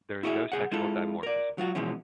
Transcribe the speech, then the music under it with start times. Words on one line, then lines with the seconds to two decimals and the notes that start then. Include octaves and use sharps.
There is no sexual dimorphism.
0.23 E4 F#4 G#4 C#5 E5
0.52 C2 F2 G#4 F#5
0.72 G#3 E4 F4 A4
1.23 A#4 D5
1.58 F#3 F4 F#4
1.75 B2 E3 F3 G#3 C#4